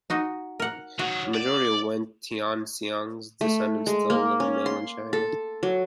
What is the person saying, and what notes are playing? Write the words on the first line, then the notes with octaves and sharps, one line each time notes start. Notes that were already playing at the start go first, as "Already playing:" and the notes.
The majority of Wen Tianxiang's descendants still live in mainland China.
D#4 F#4 D#5
A#4 F#5
D#3 F#3 F#4
D5
A3
G#3
A#3
C#4
C6
A4
F#3